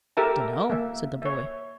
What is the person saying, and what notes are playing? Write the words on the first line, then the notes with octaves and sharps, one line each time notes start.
"Dunno," said the boy.
G4 A4 A#4 E5 A5
A#3 E5
C#5 E5